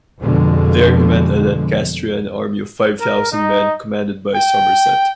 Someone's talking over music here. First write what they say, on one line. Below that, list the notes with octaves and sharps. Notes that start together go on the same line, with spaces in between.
There he met a Lancastrian army of five thousand men commanded by Somerset.
F2 B2 D3 F3 G#3
A#4
D#4
G5